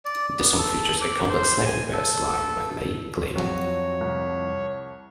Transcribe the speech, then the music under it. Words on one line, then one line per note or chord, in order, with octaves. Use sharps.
The song features a complex slapping bass line by Les Claypool.
D5
B3
A4
D6
C5
G#5
A4
F2 F#3 C4 F#4 G4 C#5 A5
C2